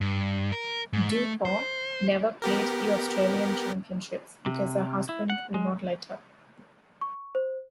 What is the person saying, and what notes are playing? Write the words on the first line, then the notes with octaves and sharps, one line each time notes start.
DuPont never played the Australian Championships because her husband would not let her.
G2
A#4
G#2
A3
C5
B3 G4 A#4
C3
E4
F#5
G#3
C#6
C5